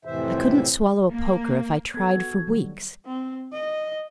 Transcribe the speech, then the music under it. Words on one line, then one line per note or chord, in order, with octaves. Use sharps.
I couldn't swallow a poker if I tried for weeks.
F2 A2 C3 E3 C5 E5
A#3
B3 A4 G#6
F#4
D#3 F#3 G3
C4
D#5